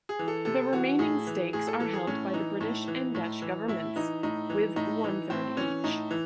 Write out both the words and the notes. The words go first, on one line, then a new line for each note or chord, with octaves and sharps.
The remaining stakes are held by the British and Dutch governments, with one-third each.
G#4
E3
A4
C3 A4
E3 F#4
A2 G#4
E3
A2 G#4
A4
E3 A4
G#4
A2 C#4
E3 D#4
A2
E3
A2
E3
A2 E4
E3 D#4
A2 D#4
E3
A2 D#4
E3
A2 C4
E3 C#4
A2 D#4
E3